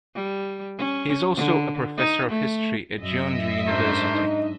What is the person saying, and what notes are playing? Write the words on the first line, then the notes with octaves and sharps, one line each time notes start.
He is also a professor of history at Jeonju University.
G3
C#4
D3
D#4
A3
F#2 D#5 E5
G#2 A3 D4 A#4 C5
D#4